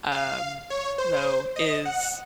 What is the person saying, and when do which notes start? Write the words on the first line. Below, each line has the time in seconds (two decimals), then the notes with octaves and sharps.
um, though, is,
0.12 F5
0.70 C#5
0.98 C5
1.56 D#5
1.85 F#5